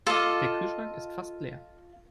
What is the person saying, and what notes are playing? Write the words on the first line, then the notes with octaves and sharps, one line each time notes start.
Der Kühlschrank ist fast leer.
F4 A4 D#5 F5 D6